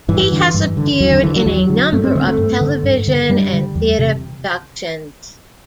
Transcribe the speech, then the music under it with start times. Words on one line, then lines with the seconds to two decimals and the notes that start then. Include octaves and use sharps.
He has appeared in a number of television and theatre productions.
0.08 G2 E3
0.32 D3
0.54 G2
0.77 D3
1.00 E2 F#3
1.11 D3
1.23 D3 E3
1.36 F#3
1.46 E2 F#3
1.70 D3
1.92 G2 A3
2.04 C4
2.15 D3 C4
2.27 A3
2.38 G2
2.61 D3
2.83 G2
3.08 D3
3.30 G2 G3
3.53 D3
3.75 E2
3.99 C3